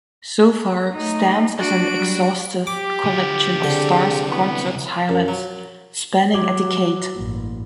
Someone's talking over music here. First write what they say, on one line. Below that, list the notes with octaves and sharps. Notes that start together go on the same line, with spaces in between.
So Far stands as an exhaustive collection of Starr's concert highlights spanning a decade.
A3 D#4
D4 F#4 D7
F#3 G3
G4 D6
D3 F4
C2 D3 C4 G#4
E3 B3
F#2
F#3
F#3 F#4 D6 G#6
A1 G2 A#3